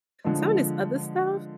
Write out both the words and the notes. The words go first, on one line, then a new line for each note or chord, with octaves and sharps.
some of this other stuff
D3 F3 G#3